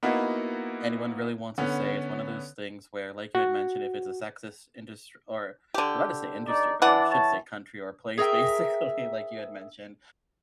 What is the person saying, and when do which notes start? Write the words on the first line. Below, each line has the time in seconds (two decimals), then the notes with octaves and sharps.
anyone really wants to say, it's one of those things where, like you had mentioned, if it's a sexist indust or I was about to say industry, but I should say country or place, basically like you had mentioned.
0.03 A#3 B3 D#4 E4 F#4
1.58 D3 B3 C#4
3.35 F#4
5.74 D3 G4
6.47 D#4 D5
6.82 E3 D4 D5 F#5
7.11 C#5 A5
8.18 G#4 A#4 E5 G5